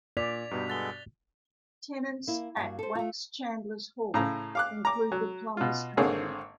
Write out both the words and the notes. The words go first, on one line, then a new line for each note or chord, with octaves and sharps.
Tenants at Wax Chandlers' Hall include the Plumbers' Company.
A#2 D5 G#6 B6 F7
G2 B2 D#4 G4
G#3 B3 A4 F#6 A6 G7
A#3 E4
G2 A#3 F#4
A4 C5
A3 F4
A2 C#3 A#5
F5 D6 F#6
A#5 D6
F#3
B2 F4
G#1 D3 A#3 C4 G#4 C#5